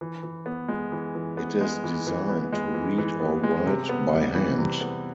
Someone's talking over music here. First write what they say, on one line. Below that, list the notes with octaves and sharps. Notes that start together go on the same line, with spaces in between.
It is designed to read or write by hand.
E3
E3
B3
G#3
E3
E3
B3
G#3
E3
E3
B3
G#3
E3
E3
B3
G#3
C3
B3
G3
E3
C3
B3